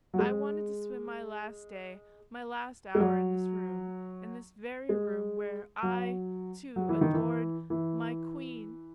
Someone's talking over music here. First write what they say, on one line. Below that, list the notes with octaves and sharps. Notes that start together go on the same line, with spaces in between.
I wanted to spend my last day, my last hour in this room, in this very room ... where I, too, adored ... my queen....
F#3
G#3
G#3
F#3
G#3
F#3
F#3
E3
D#3
E3
E3